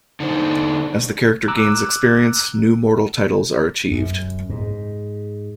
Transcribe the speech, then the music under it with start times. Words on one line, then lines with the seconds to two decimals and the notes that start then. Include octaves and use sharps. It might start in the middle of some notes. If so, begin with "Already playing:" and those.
As the character gains experience, new mortal titles are achieved.
0.20 D3 D4 D#4 C5
1.48 A#5 D6 E6 F#6
3.91 F#2
4.49 G#2